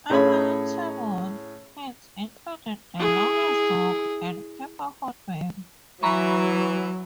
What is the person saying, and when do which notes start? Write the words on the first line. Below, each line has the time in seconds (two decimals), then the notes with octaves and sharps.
Other notable hits included "The Longest Walk" and "Pepper Hot Baby".
0.10 A2 C#4 G#4 C#5 B5
2.96 E4 G#4
6.03 E3 F#3 A#5 B5 C#6